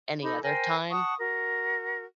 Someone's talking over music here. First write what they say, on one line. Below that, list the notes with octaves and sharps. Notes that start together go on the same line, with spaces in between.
any other time.
D#4 A4 B5 D6
A#4 C5 G5 G#5
F#5 A5 C#6 D#6
F#4 A#4